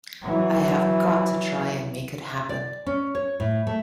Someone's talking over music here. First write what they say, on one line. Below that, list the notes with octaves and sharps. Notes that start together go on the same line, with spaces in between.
I have got to try and make it happen.
E3 F#3
D5
C#4
C#5
A2
A3